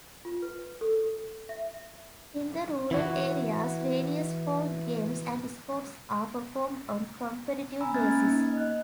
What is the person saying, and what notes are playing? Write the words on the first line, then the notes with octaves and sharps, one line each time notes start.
In the rural areas, various folk games and sports are performed on competitive basis.
F4
B4
A4
E5
E3 E4 F#4
G#5 A#5 B5 E6
A#3 B3 C#4 F6 G#6 A6
A#3 D#4
D#5 F#6